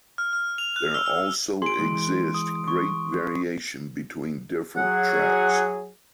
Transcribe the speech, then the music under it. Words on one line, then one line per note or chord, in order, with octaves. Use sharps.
There also exists great variation between different tracks.
F6
F6
F7
F#6
E6
E6
G#4 C6 D7
E3 G#3
D#6
C#6
F#3 G#4 F#5